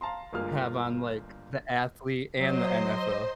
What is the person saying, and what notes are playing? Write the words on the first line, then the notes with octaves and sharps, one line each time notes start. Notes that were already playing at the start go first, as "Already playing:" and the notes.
Have on, like, the athlete and the NFL.
F5 A5 A#5 C6
G1 G#3 A#3 F4 F6
F#3 C5 D#5 C6